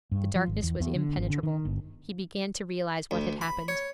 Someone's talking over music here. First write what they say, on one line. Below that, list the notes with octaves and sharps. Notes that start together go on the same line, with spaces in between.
The darkness was impenetrable. He began to realize what had happened.
G2
F3
G#1
E2
E2
D3
G#1
D3
D#3
G1
D2
B5
C#5